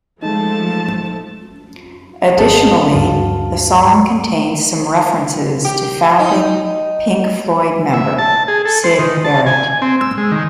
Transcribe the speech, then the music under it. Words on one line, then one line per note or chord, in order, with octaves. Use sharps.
Additionally, the song contains some references to founding Pink Floyd member, Syd Barrett.
F3 G#3 A3 D#4 A5
G#1 G#4 C5 D#5 A5
D2 G2 F#4 F5 A5
G4
D#4
E5
A5
G#4
A4
C5
D#3
A5
G#5
C4
E6
G#3
D#3